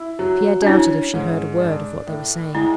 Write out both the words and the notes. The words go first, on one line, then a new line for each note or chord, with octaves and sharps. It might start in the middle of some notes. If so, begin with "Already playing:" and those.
Pierre doubted if she heard a word of what they were saying.
Already playing: E4
F#3
D4
C#4 E4
G#2
D4
A2
G#3 E4